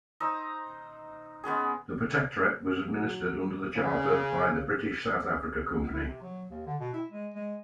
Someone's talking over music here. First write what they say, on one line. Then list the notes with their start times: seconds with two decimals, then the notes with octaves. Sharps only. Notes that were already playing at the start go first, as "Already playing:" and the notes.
The protectorate was administered under charter by the British South Africa Company.
0.20 D#4 C5 A#5 E6
1.44 G#3 B3 C#4 G#4
2.92 F#3
3.75 C#3
5.76 C#2
5.93 E4
6.08 C3
6.22 F#3
6.51 D#2
6.66 D3
6.80 B2
6.93 E4
7.10 G#3
7.34 G#3